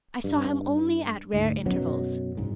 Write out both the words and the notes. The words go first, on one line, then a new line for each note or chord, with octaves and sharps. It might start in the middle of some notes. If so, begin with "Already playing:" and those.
I saw him only at rare intervals.
G2
D2 G#2
F#2 B2 F#3
C2 G#2